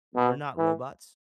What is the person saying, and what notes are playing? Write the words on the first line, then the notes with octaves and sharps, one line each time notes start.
we're not robots,
B2
E3